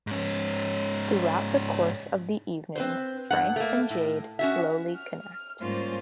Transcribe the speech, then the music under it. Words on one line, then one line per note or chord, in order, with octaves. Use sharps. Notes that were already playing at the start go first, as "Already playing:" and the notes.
Throughout the course of the evening, Frank and Jade slowly connect.
G#2 C#4
C4 B4 C5
G2 F#5
A3 A#3
A2
C#4 F#4 E5
F6
G#2 G3 A#3 C#4 F4 C5